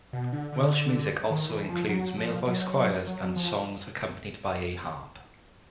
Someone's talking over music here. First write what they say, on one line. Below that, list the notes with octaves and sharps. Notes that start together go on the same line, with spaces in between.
Welsh music also includes male voice choirs and songs accompanied by a harp.
B2
D3
D3
D#3
E3
F3
F#3
F3
F#3
F#3
F3